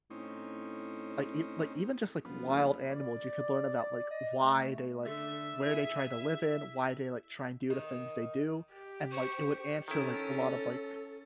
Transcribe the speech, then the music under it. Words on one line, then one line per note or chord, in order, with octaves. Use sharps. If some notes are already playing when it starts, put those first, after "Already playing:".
like e like even, just, like, wild animals, you could learn about, like, why they like where they try to live in, why they like try and do the things they do and, like, it would answer, like, a lot of, like
A2 C4 C#4 D#4
F#1 F3 B3
F#1
D5
D#5
A3
D3 A3 E5
E4 G#4
D#3
G4
C5 C#6
D#3 C#4 E4 A4